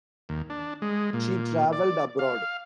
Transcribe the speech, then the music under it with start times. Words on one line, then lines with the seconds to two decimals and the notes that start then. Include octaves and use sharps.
She travelled abroad.
0.29 D#2
0.50 D4
0.82 G#3
1.13 A#2
1.73 D5
2.19 F5